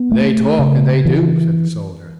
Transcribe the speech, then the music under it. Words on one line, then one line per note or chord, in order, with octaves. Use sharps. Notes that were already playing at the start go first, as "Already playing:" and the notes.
"They talk--and they do," said the soldier.
Already playing: B3
A3
C#3
E3